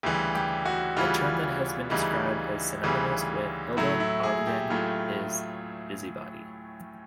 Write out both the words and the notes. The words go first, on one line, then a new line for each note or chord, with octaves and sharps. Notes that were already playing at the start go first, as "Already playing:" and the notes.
A term that has been described as synonymous with Hilda Ogden is "busybody".
D2 C#3 E3 G3 G4
G4
F#4
D2 C#3 E3 G3 F4
D2 C#3 E3 G3 D#4
D2 C#3 E3 G3
A2 F#3 A3 E4
E4
G#4
G4
A2 F#3 A3 F4